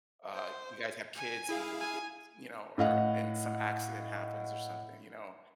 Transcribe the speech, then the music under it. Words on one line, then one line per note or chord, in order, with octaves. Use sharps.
uh, you guys have kids, and, s you know, or and some accident happens, or something, you know.
C5
G#5
E4 G#4 F5
G#5
A2 D#5 F5 F#5